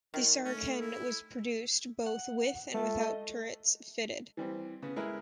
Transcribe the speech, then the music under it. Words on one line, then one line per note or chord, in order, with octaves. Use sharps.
The Saracen was produced both with and without turrets fitted.
D#3 F#3
A3 C#4
E4
F#5
G#3 A3 F4
D#5
E3 G3 C4
C#3 B3
G#3 E4 A#4 B4